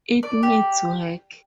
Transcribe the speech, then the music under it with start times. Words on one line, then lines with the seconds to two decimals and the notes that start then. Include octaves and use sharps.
It needs work.
0.23 D5
0.43 G4